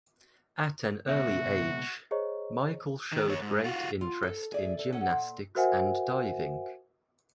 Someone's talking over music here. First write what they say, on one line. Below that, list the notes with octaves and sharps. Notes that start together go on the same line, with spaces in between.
At an early age, Michael showed great interest in gymnastics and diving.
C#2 B2 F#4 E5
G#4 C5 C#5 D#5 A#5 C#6
D#3
D#2 C#5
G#2
F4 F#4
F4
A4
G#4 D5 E5
A4
C#4 A4 F#5
A#2
F#4 A#4 C5 E5 F#5 G#5